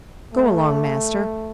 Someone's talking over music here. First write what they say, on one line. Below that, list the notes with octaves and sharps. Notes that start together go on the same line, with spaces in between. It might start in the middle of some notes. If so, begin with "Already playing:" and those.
'Go along, master!
A3